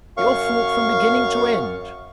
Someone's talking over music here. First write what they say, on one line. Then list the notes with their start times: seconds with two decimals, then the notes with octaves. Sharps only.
'Your fault from beginning to end.'
0.17 F#2 F5 C#6